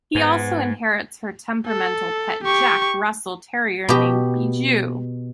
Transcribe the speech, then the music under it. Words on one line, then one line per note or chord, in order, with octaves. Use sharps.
He also inherits her temperamental pet Jack Russell terrier named Bijoux.
G#2 B3
A4
G4 C#6
B2 G4